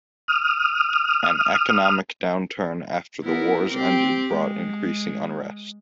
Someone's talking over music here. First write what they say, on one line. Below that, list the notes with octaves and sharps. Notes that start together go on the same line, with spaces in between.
An economic downturn after the wars ended brought increasing unrest.
D#6 F6
B3 E4 A#4
C4 G4
G#3